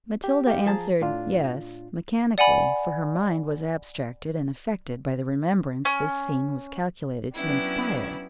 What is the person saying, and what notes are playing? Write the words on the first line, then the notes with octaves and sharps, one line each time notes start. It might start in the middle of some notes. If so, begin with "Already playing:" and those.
Matilda answered "yes," mechanically, for her mind was abstracted, and affected by the remembrance this scene was calculated to inspire.
G4
G4 F5
F3 G#4 A5 A#5
A2 D4 F4
D5 F#5 G#5 B5
C#4
F#3 B3 C#4 D4 E4 G4